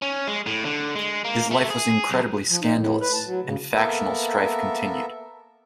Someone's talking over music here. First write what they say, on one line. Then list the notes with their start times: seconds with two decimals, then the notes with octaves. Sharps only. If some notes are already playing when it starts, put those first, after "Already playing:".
His life was incredibly scandalous, and factional strife continued.
0.02 C#4
0.27 G#3
0.47 A2
0.65 D3
0.95 G#3
1.25 A#3
1.51 A3
1.70 G#4
2.09 B1
2.49 F3
2.62 D#4
2.76 A2
3.01 B4
3.13 A5
3.26 F#3
3.45 C#3
3.75 A#3 B3 A4 A#4 E5